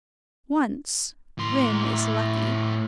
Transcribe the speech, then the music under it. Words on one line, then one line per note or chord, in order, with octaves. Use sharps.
Once Grim is lucky.
A2 C6